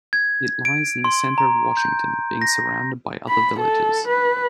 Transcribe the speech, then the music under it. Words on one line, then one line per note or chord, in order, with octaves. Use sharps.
It lies in the centre of Washington, being surrounded by other villages.
G#6
D7
C6
A#5
G6
A#6
B5
A4
B4